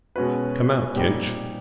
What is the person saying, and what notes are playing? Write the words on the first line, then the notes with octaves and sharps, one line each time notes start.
Come out, Kinch.
B2 G#3 C#4 F#4 B4
A#2 G3 C4 D#4 G4